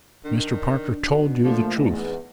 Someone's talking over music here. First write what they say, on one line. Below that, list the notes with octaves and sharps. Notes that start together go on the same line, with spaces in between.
Mr. Parker told you the truth.
D#3 D4
B2
A#2 D3 F3 A3
E2 G#2